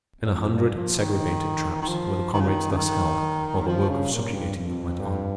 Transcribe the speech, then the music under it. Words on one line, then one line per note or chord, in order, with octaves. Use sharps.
In a hundred segregated traps were the comrades thus held while the work of subjugating them went on.
G2
F2
G2
F3
D#3
D#3
F3
D#3
C#3
D#3
C#3
D#3
F3
C#3
A#2
G2
F2
G2